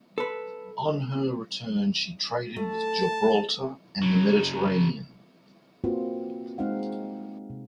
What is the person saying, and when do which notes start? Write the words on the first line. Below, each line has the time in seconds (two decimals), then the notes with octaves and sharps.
On her return she traded with Gibraltar and the Mediterranean.
0.18 A4 B4
2.57 A3 A5
4.03 C#3 F#3
5.84 A#3 C4 F4 F#4 B4
6.58 G#3 C4 D#4 F5 F#5
7.50 C3